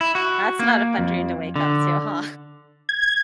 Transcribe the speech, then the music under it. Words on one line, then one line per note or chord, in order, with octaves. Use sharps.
That's not a fun dream to wake up to, huh?
E4
F#4
A#3
F2
D3
G#6